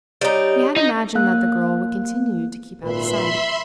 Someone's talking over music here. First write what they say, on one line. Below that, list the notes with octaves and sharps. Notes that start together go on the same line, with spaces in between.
He had imagined that the girl would continue to keep out of sight.
G3 D#4 C#5 D7
D#4
A#3 F#6
G#1 A#2 B4 E5 B5 C6